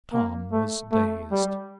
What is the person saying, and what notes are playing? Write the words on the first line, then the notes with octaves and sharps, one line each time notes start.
Tom was dazed.
A#3
A3
A3
G3